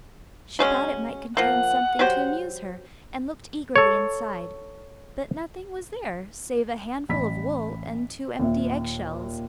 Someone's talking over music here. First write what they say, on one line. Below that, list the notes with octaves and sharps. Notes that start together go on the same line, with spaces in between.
She thought it might contain something to amuse her, and looked eagerly inside, but nothing was there save a handful of wool and two empty eggshells.
F#3 G#3 C#4
F3 A#3 F#5
F#3 G4 C5
A4 C#5
A1 B5 B6
D#2 A#2 E5